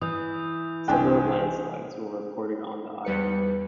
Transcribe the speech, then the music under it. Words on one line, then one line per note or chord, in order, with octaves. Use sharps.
Several landslides were reported on the island.
E3 D#6 G6
C2 D3 G5 G#5 F#6
E2 G3 B4 C#7